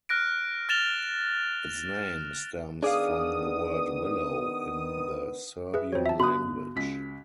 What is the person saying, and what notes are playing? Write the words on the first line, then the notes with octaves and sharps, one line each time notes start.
Its name stems from the word "Willow" in the Serbian language.
F6 F#6 A#6 D7
F6 A6 E7 F7 G7
D#3 B3 D4 G#4 D5 F5 D#6
G#4 B4 E5
F2 F#3 C5 C#5
E5 A5
G1 F#4 B5 D#6 F#6
C#2 B6